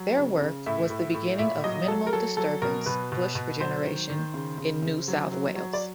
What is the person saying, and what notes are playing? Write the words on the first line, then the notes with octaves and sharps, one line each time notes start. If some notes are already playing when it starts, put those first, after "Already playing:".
Their work was the beginning of minimal disturbance bush regeneration in New South Wales.
Already playing: F#3
C#3
C#3
A2 E5
A2
A2
A#2 E5
F#3 D#5
F#3 A4
A#4
F#3 A4
F#3 A4
B2 A#4
B2 B4
B2
B2
F#3 C5
D#3
D#3
C#3
C#3
C#3
F#3
F#3
F#3
D5